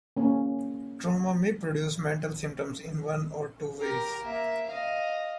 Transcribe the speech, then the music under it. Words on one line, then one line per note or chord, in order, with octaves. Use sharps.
Trauma may produce mental symptoms in one of two ways.
A#3 C#4
G4 A#4
A#3 E5
D#5 F5